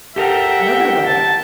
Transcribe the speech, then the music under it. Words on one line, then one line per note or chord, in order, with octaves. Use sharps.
Another Way.
G4 A4 A#4 E5 F#5 G5
A5